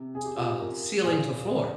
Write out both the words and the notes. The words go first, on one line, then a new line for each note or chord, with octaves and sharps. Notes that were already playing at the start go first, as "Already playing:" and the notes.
uh, ceiling to floor.
Already playing: C3
C3 G#4
G4
F4
G4
F4 A#4
A#2 G#4
D3